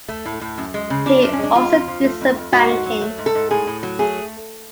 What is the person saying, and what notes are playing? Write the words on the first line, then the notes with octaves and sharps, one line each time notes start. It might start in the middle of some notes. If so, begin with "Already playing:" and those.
He also did some banking.
A3
A2
A2
F#2
G#3
C#3
F3 D4
F#2
C#4
G#3 D4
F2 F4
F2
F3
A3
F2
F2
G#2 F#4
G#2
F#3
A3
G#2
A4
G#2
A2 G#4
A2
F#3
A3 G#4